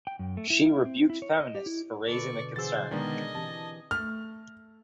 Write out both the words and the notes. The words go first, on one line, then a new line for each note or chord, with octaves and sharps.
She rebuked feminists for raising the concern.
G5
F#2
A3
E4
E5
C4
E4
C#5
D#5
G4
E4
B2 D3 A4 B4 D5 C#6
E3 F#4 G#4 C5 E6 A6
D#3 G#3 B3 D4 A#4 D5 D#5 G#5
E3 C4 G4 A5
A3 F6